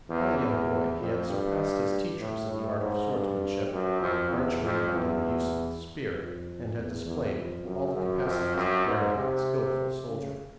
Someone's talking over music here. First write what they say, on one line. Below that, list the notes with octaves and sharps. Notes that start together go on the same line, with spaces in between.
While yet a boy he had surpassed his teachers in the art of swordsmanship, in archery, and in the use of the spear, and had displayed all the capacities of a daring and skillful soldier.
E2
E2
F2
G2
A2
A2
G#2
G2
F#2
F2
E2
F2
E2
F2
E2
E2
F2
F#2
F#2
F2
F#2
G#2
C3
C#3